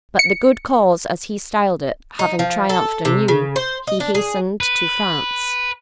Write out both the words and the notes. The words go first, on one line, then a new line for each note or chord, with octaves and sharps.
But "the good cause," as he styled it, having triumphed anew, he hastened to France.
C#7
D#4
F3
A4
C3
C#3
C5
D#5
D4
G#4
B4